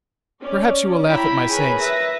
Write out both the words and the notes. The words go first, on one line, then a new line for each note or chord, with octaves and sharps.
Perhaps you will laugh at my saying so.
C#4 D5
E4 G5 A#5 B5
G#4 A#4 B4 C#5 B5
B4 E5 A#6